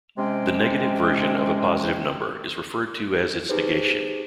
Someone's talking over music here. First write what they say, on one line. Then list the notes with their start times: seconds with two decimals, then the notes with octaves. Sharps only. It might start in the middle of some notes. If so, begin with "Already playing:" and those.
The negative version of a positive number is referred to as its negation.
0.17 C3 G#3 C#4 G5
3.49 D#4 G4 G#4 B4 C5